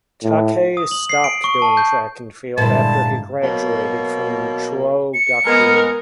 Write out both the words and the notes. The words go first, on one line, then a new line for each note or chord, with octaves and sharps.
Takei stopped doing track and field after he graduated from Chuo Gakuin.
A2
D#6
F#7
C7
D7
C#6
A5
G6
G2 A#2 D3 G3 G#3 E4 A5
B2 F#3 A#3
C#7
G#3 B3 A#4